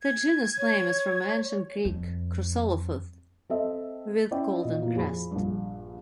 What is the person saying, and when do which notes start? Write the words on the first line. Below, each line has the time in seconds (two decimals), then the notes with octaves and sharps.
The genus name is from Ancient Greek "khrusolophos", "with golden crest".
0.02 G#6
0.58 C#5
1.85 F2
3.50 C4 A4 D#5 E5
4.31 C#4 E4 D5 G5
4.62 A#2 D#5
4.82 A#2 E3 A#3
4.95 F2 G#4 B5
5.31 A#1 G2